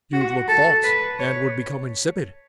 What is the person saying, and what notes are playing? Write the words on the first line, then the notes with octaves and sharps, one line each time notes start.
You'd look false and would become insipid.
F#4
A4
B4
C#5